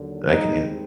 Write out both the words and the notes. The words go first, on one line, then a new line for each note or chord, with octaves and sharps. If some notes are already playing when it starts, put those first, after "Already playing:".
I can hea
Already playing: D#2 D3 F#3 A#3
G#2 D#3 G3 C4 D#4